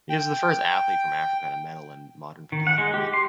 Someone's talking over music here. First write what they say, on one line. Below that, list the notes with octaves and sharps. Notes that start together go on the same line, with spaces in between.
He is the first athlete from Africa to medal in modern pentathlon.
G5
D#3
F#5
G#3
G4
C6